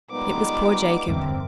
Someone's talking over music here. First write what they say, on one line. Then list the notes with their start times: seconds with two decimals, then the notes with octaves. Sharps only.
It was poor Jacob.
0.11 A#2 G3 G#3 B3 D#4 D6
1.08 E2 G2 D3 C4 A#4 E5